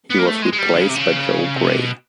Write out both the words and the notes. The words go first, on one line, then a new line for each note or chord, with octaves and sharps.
He was replaced by Joel Grey.
B3
A#3
A3
G#3
G#3
G3
D3
C#3
C3
C#3
C3
B2